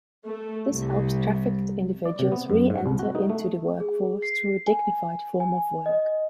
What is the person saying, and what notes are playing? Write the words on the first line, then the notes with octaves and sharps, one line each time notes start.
This helps trafficked individuals re-enter into the workforce through a dignified form of work.
A3
C2
D5
C3
B3
F#2
G#2
C2
F#4
D#4
A3
G#4
C7
G#5
G#5
D#5